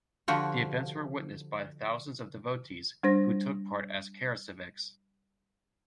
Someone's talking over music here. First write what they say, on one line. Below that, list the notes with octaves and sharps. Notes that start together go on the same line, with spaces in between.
The events were witnessed by thousands of devotees who took part as "Karasevaks".
D3 F3 F#4 G4
G3 D4 C5 A#6